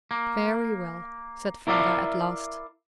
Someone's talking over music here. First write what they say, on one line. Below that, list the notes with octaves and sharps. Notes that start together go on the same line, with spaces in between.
"Very well," said Father, at last.
A#3
E4 A#4 D5 E5 F5